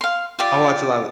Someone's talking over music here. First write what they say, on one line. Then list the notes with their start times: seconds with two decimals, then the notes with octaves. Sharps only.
I watch a lotta
0.01 F5 C6
0.39 F4 G4 D5 E5